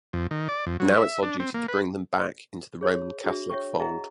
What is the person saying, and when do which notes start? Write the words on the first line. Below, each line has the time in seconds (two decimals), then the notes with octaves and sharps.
Now it's our duty to bring them back into the Roman Catholic fold.
0.13 F2
0.31 D#3
0.49 D5
0.67 F2
0.80 F#3
0.96 E5
1.23 D4
1.40 C4
1.54 A#3
1.68 B4
2.81 G#4 C#5 C6
3.24 D4 F#4 G#4 E5
3.50 C#5 E5 G5 C#6
3.80 G#4 D#5 E5 F#5 G#5 A#5